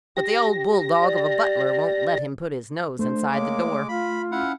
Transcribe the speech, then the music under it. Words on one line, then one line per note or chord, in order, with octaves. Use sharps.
But the old bulldog of a butler won't let him put his nose inside the door.
G4 A#6
D5
A3 D4 C5
G#3 A#3 C#5 D6
F4 F5 B5
C#4 E4 F5 F#5